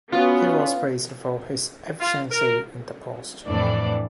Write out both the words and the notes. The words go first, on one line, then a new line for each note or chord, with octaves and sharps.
He was praised for his efficiency in the post.
B3 C#4 F4 F#4
F4
A#4
F2 A2 E3 D4 D5